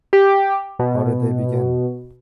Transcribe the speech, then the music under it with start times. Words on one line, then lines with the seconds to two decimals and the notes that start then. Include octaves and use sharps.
How did they begin?
0.13 G4
0.79 B2